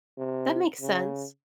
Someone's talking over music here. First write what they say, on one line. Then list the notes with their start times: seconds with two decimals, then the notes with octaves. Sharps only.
That makes sense.
0.18 C3
0.81 C#3